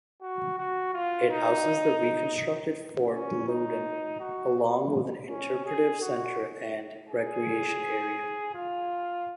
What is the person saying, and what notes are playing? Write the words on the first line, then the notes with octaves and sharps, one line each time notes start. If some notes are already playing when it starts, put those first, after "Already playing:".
It houses the reconstructed Fort Loudoun along with an interpretive center and recreation area.
F#4
F#4
F4
D#4
C#4
D#4
F#4
C#4
G#4
F#4
G#4
F4